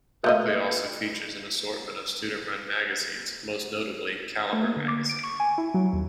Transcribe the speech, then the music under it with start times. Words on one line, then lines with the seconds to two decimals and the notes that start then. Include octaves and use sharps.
Berkeley also features an assortment of student-run magazines, most notably Caliber Magazine.
0.24 A3 A#3 D#5
4.53 A3
4.64 A#3
4.76 D3
4.88 D6
5.09 D7
5.23 C#6
5.40 G#5
5.58 E4
5.74 F#3
5.93 D#2